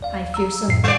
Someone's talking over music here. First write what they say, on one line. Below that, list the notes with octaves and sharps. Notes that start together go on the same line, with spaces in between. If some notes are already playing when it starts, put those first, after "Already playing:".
"I fear so."
D#2 D5 F5
A#5 E6
F#2 A2 C7
G3 D5